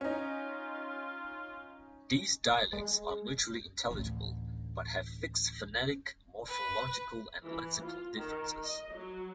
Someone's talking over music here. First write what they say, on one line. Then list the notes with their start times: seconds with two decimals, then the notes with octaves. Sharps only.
These dialects are mutually intelligible, but have fixed phonetic, morphological and lexical differences.
0.01 C#4 D#4 F4
2.73 G#3
3.91 A1 D2
6.48 B4
7.44 E3
7.83 F4
8.16 D#3
8.62 D#5
8.93 F#3